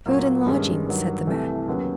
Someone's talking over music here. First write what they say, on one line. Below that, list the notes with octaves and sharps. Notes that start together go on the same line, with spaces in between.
"Food and lodging," said the man.
A#2 F#3 A#3
G2 D#3 G#3 C#4
G2 D#3 F#3
C2 C3 E3 A3
D#2 C#3 F#3 B3